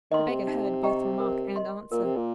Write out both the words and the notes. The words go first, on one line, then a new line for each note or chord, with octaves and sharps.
The beggar heard both remark and answer.
D#3 D#5 C6
C3
D#4
G4 D#5 G5 A#5
A#4
D#5 C6
A#2 A#4
C3
A#2